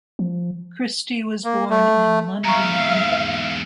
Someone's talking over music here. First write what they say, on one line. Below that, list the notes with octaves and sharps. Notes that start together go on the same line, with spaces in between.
Christy was born in London, England.
F3
A#3
A3
E2 G#2 E5 F5 A#5 C#6